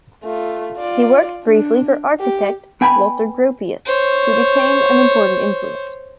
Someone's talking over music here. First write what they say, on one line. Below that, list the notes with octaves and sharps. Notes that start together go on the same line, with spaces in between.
He worked briefly for architect Walter Gropius, who became an important influence.
A3 F4
F4 D5
D4
G4
B3 G5 G#5 B5
C5 C#5